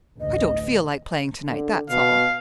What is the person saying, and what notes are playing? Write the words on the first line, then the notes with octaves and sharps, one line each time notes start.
"I don't feel like playing to-night; that's all."
A1 D2 D#5
D3
B2 F5